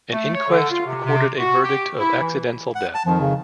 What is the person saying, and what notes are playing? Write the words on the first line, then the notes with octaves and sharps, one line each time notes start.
An inquest recorded a verdict of accidental death.
A3
C#5
D3
F4
C3
C3
F#4
G4
E4
E3
F#5
A5
F2 D#3 F3
C#3